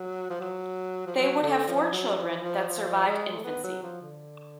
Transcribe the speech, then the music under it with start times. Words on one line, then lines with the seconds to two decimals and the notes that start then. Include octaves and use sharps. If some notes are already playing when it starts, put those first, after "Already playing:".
They would have four children that survived infancy.
Already playing: F#3
0.30 F3
0.40 F#3
1.06 F3
1.16 F#3
1.42 D3
1.68 F3
1.92 F#3
2.18 F3
2.43 F3
2.69 F3
3.07 G#3
3.34 A3
3.44 B3
3.63 F#3
3.83 F3
4.02 D3